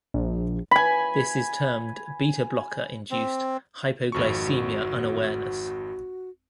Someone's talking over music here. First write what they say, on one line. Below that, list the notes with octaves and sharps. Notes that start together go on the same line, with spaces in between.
This is termed beta blocker induced hypoglycemia unawareness.
A#1
G#5 B5
C4
G#1 F2 F#4 C#6